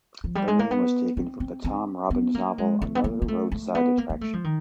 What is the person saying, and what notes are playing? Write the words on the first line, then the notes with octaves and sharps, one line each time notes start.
The name was taken from the Tom Robbins novel "Another Roadside Attraction".
F3
G3
G#3
A#3
B3
C4
C4
C4
B3
A#3
G#3
A3
B3
A#3
A#3
A3
A3
B3
A#3
A#3
A3
F3
D#3